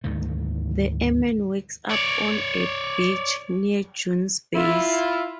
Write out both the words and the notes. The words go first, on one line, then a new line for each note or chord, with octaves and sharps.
The airman wakes up on a beach near June's base.
D2 G#2 D#3 A3
C#5 D5
E4 F4